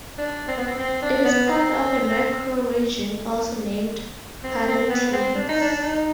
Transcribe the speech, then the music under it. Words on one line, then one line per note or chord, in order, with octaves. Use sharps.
It is part of a microregion also named Parintins.
D4
C4
B3
C4
C4
D4
B3
C4
C4
C4
B3
B3
C4
D4
D#4
D4
D4
D#4